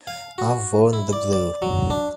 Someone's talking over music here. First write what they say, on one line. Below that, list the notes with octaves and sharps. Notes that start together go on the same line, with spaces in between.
I’ve worn the blue.
F5
F#4
E4
D5
D5
F#3
D4